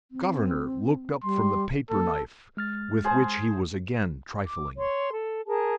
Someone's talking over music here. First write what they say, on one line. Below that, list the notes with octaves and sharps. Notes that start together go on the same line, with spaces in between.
The governor looked up from the paper-knife with which he was again trifling.
C4
G3 C6
A#3 A4
G#3 F6 A6
G#4 C5 A5
D6
C#5 C6
A4
G#4 A#4 A5